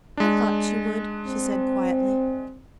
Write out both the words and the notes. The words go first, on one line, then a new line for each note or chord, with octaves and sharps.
"I thought you would," she said quietly.
G#3 D4
C4